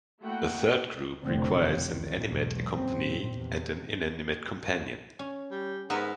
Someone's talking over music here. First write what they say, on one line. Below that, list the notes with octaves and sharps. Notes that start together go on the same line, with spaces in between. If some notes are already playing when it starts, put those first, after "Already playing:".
A third group requires an animate accompanee and an inanimate companion.
A3 A#3 E4 F#4 F#5 G5
F1 B1 F2 D3 A3 C4
C#2 D#3
B1 E2 G#2
G#1 F#2 A#2 C#3 C4
E2 C3
C#4
G3
G#2 B3 A#4 E5